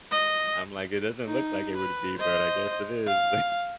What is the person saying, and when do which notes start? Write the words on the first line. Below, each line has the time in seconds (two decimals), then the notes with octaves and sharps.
I'm like, it doesn't look like, it would be, but I guess it is.
0.11 D#5
1.25 D#4
1.77 B4
2.19 C5 D#5
3.07 F5